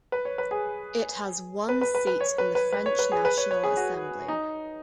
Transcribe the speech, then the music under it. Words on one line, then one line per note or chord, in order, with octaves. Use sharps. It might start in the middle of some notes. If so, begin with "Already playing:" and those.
It has one seat in the French National Assembly.
B4
C#5
B4
G#4
B4
B4
B4
B4
C#5
B4
B4
B4
C#5
B4
G#4
B4
C#5
C#5
G#4
F#4
D#4